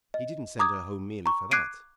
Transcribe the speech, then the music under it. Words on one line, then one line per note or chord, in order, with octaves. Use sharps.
He didn't send her home merely for that.
D#5
A#5 D6 D#6 G#6
A#5 C#6
D6 F#6 G#6 C7 D7 D#7